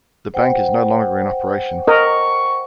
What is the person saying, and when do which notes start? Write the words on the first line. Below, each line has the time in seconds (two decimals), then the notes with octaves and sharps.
The bank is no longer in operation.
0.34 C5 F#5 G5
1.87 A#4 D#5 C#6